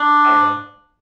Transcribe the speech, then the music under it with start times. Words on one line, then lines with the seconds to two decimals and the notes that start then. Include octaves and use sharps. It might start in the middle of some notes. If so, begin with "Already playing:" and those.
I don't know.
Already playing: D4